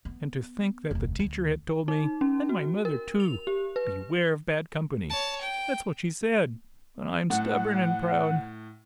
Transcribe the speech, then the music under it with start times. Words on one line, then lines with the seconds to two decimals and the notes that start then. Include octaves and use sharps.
And to think that the teacher had told me--and my mother, too!--'Beware of bad company!' That's what she said. But I'm stubborn and proud.
0.05 B3
0.91 F1 D2
1.19 D2
1.88 D#4
2.21 C#4
2.49 F#4
2.85 A#4
3.20 F7
3.47 G4
3.76 B4
5.10 C#5 A5
5.41 G5
7.30 A2 F#5